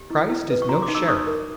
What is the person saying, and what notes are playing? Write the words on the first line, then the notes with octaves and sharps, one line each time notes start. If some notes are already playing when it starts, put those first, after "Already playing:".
Christ is no sheriff.
Already playing: G4
E4
E4
B4
C#6
F#4 A#5 C6
C6 D6
D#4
D6 E6
D#4 C#6 D#6
A#4